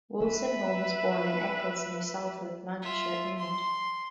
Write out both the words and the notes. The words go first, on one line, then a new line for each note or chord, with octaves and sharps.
Wolstenholme was born in Eccles near Salford, Lancashire, England.
B4 E5
F4 E5
C6